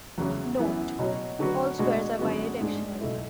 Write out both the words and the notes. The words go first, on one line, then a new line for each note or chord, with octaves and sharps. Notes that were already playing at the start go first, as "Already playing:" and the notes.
Note: All squares are bidirectional.
E2 C#3 F#3 C#4
F#2 E3 B3
B2 F#3 C#4
D3 F#3 C#4 F#4 B4
B2 G#3 D4 F#4
F#2 D3 G#3 B3 F#4
G#2 G#3 D4
B1 B2 A3 E4